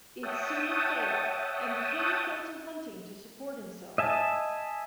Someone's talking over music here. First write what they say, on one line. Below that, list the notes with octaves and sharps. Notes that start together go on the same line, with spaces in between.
It soon failed and Payne fell to hunting to support himself.
C#5 E5 F#5 G5 A5 D#6
D#5 E5 G#5 A5